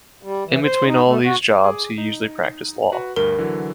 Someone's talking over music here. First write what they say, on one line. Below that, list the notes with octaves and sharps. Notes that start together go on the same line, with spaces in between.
In between all of these jobs, he usually practiced law.
G3
E3
C5
D#4
A3
F#4
G#4 D6 D#6
D#4
F#4 B4
D2 G2 A#4
D3 E3 F#3